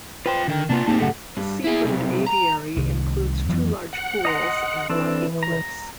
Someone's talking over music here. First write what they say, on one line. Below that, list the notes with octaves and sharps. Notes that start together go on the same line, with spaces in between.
The seabird aviary includes two large pools and rocky cliffs.
F4 B4 C5 G5
D3 D#3 D#5 G5
C3 A#3 B3 D4 F4
A2 A#3 C4 D#4 G4 G#4 A5
F#2 C#3 A3 A4 F#5
G2
E4 G#4
B1 C3
A#5
C2 D#3
F2 E3 F#3 B3
F#5
D#5 A#5 C6
E3 C4 D4 A4
A#5